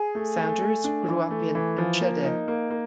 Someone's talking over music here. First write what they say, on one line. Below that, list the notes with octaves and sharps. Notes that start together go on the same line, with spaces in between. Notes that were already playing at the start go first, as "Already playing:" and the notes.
Sanders grew up in Enschede.
Already playing: G#4
A3
A3
A3
D4
E3
A3
E3
F3
A#3
D#4
A#3
A#3